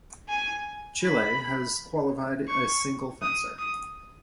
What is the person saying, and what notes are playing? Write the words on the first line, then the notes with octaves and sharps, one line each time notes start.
Chile has qualified a single fencer.
G#5
B5
C#6
D#6
D#6